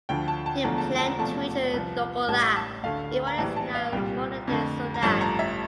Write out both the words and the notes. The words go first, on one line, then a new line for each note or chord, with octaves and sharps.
He planned to reach Dongola in what is now modern-day Sudan.
D2 D3 F3 G5
A5
A5
E1 E2 D3 F3 A3 A#5
A5
A5
A#5
E1 E2 C3 F3 A3 A5
C2 C3 F3
A1 A2 G3 A5
A5
D2 D3 A3 F5
A#5
A#1 A2 E3 G3 A5
A5
F5
C2 A#2 G3 G5
F2 D3 A3
A#5
A1 G2 F3 A3 A5
A#5
E5